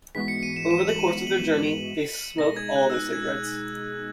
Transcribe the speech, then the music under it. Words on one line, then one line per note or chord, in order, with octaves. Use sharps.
Over the course of their journey, they smoke all their cigarettes.
G#2 E3 G#3 B3 F#4 B6
C#7
D#7
E7
E7
F#7
D#7
E7
F#7
B2 G#3 D#4 G#4 A#6
G#6
F#6
E6
F#6
G#6